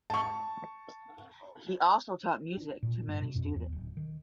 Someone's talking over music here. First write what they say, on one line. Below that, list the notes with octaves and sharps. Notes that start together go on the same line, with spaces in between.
He also taught music to many students.
A5 C#6
D4
A#2
G2
B2
F2
E2
D1
D#3